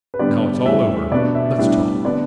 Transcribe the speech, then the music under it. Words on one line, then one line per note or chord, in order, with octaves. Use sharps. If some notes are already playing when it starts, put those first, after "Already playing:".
"Now it's all over, let's talk."
B4
D3 G3 B3 D5
A2 E3 G3 E5
B2 B3 D4 D5
E5
A2 G3 B3 D4 E5
D3 B3 D4 D5